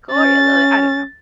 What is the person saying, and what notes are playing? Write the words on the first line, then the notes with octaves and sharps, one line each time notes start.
gory a little bit. I don't know.
C#4 A6